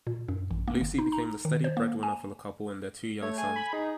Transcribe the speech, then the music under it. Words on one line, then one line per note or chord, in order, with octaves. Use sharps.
Lucy became the steady breadwinner for the couple and their two young sons.
A#2
F#2
A1
A#3
G1
D#4
A#5
D#3
C5
A#3
G#5
A3 C#5
G#5
B5
D#4 G#4